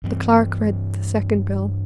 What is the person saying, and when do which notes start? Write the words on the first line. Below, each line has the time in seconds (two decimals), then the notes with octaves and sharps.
The Clerk read the second bill.
0.03 G2 E3 C4